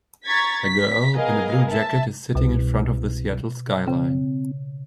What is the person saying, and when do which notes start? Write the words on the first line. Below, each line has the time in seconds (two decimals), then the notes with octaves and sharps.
A girl in a blue jacket is sitting in front of the Seattle skyline.
0.25 A#5 C#6 G#6 A6 B6
0.61 B6
1.15 B3 G#4 A#4 D#5 F5
1.68 E5 A5
2.35 C2 B2
3.88 C#3 C4